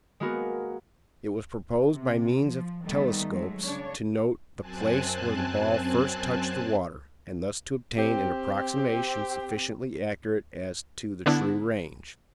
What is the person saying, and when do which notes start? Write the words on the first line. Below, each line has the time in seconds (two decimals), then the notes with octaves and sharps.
It was proposed, by means of telescopes, to note the place where the ball first touched the water, and thus to obtain an approximation sufficiently accurate as to the true range.
0.20 G#3 A#3 B3 F#4 A#4
1.92 C3
2.44 F3
2.85 D#3 G3 A3 B3 D#4
3.29 F#3 G#3 A3
3.66 C#3 D4 C#5
4.60 F#2 C4 G#5 A5 F#6
7.98 C4 G4
11.26 D3 B3 D4 E4